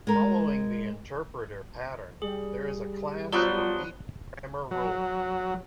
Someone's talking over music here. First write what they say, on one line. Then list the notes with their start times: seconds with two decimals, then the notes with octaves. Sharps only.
Following the interpreter pattern there is a class for each grammar rule.
0.07 G#3 A#4
2.22 G3 G#4
3.33 F3 F#3 B3 F4 D5 F#6 G7
4.71 F#3